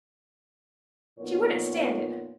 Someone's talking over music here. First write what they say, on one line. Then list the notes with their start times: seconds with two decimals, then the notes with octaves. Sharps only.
She wouldn't stand it.
1.19 F2 A#2 B3 D#4 F4 C#5